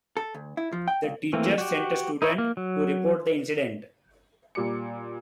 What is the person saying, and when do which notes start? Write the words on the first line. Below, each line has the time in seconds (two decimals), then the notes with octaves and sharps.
The teacher sent a student to report the incident.
0.17 A4
0.34 D2
0.57 E4
0.72 F3
0.88 G5
1.03 C#2
1.33 E3 A3 A#3 C4
1.58 F#4 G4
2.22 D#4 E4 C#5
2.38 A#3
2.57 F#3
4.55 A#2 G3 D6 C#7